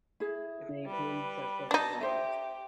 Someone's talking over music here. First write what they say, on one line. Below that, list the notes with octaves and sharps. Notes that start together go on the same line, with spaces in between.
It may include sexual minorities.
E4 G#4
G3 B4
D4 D#4 A5 A#6
G4 C5 E5